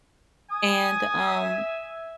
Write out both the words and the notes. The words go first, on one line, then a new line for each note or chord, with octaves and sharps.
and, um
G#5 D#6
E5